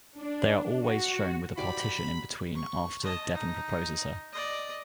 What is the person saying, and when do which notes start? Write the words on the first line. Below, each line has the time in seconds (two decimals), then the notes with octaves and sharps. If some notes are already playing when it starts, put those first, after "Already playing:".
They are always shown with a partition in between after Deven proposes her.
0.18 D4
0.84 F#4
1.58 F#4 G4 D5 B5
2.55 C#6
3.04 D#5 A5
3.34 D#4
4.33 D5 D#5